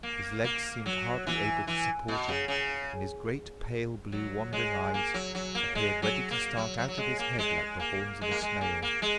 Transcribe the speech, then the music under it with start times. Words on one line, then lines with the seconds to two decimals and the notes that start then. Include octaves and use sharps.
His legs seemed hardly able to support him, and his great pale blue wandering eyes appeared ready to start out of his head like the horns of a snail.
0.03 A#3
0.44 A#3
0.86 F#3
1.27 E3
1.67 E3
2.08 B2
2.28 C#3
2.48 C#3
4.12 F#3
4.53 G#3
4.94 A#3
5.14 F#3
5.35 F#3
5.55 A#3
5.75 G#3
6.02 F#3
6.31 A#3
6.57 F#3
6.78 F#3
6.88 F#3
6.98 G#3
7.19 A#3
7.39 G#3
7.80 A#3
8.21 G#3
8.31 A#3
8.42 G#3
8.61 A#3
8.82 A#3
9.02 G#3